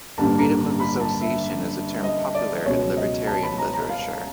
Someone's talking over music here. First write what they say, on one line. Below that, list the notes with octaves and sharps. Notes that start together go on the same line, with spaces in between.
Freedom of association is a term popular in libertarian literature.
A1 G2 D3 G3 A#3 A5
A#5
B5
A5
E5
D#5
D5
C#2 B2 F#3 C#5
D#5
A5
B5
A#5
A#5
F5